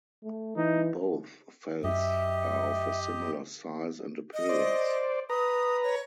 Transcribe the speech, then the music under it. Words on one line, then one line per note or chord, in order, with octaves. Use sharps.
Both fells are of a similar size and appearance.
A3
E3 D#4
F#2 G4 D#5 E5
D#5
C5 D5
B4 A#5 D#6
C#5